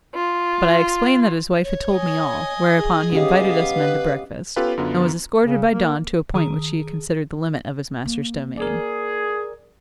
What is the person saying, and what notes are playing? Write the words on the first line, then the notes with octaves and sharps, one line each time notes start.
But I explained that his wife had told me all, whereupon he invited us men to breakfast, and was escorted by Don to a point which he considered the limit of his master's domain.
F4
C#5
D#5 G#5
G#4
B3 C#4 G4 D#5 F5
B4
B3 C#4 F4 G4 A4 B4
F#2 D3 B3 F4
C#3
A#3
D#3 G#4
A#3
G#4 A#4 D5